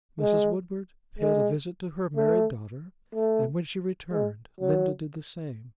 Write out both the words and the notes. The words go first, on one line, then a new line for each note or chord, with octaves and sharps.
Mrs. Woodward paid a visit to her married daughter, and, when she returned, Linda did the same.
G#3
G#3
A3
A3
G#3
F#3